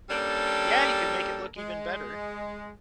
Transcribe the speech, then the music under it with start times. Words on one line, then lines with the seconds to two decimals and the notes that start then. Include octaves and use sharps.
Yeah, you could make it look even better.
0.10 G3 A#3 C#4 D4 G4 A4
1.58 G#3